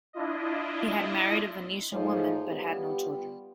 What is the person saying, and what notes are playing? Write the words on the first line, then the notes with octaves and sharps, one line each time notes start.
He had married a Venetian woman but had no children.
D4 E4 F4 D#5
G#2 F3 A3 D#4 G#4 C#5
G3 B3 F4 G4